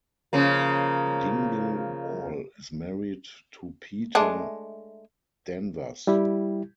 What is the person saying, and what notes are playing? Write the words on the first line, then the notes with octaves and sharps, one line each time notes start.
Dingle-Wall is married to Peta Danvers.
C#3 F3 A#3
G#3 A3 D4
G3 E4 G4